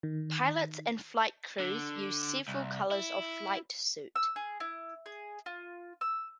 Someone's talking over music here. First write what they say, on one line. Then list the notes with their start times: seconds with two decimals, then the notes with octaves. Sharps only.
Pilots and flight crews use several colors of flight suit.
0.03 D#3
1.60 D3
2.48 C2
2.91 E4
4.16 E6
4.36 G#4
4.60 E4
5.06 G#4
5.46 F4
6.01 E6